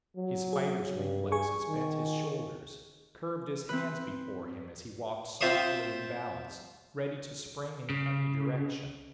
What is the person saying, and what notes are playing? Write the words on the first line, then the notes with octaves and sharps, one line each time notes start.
His fighter's reflexes bent his shoulders, curved his hands before him as he walked softly in balance, ready to spring in any direction.
F#3
G#4
G2
G#4 G#5 C#6
D#3
C4 B4
C4 F4 C5 E5 C6 D#6
C#3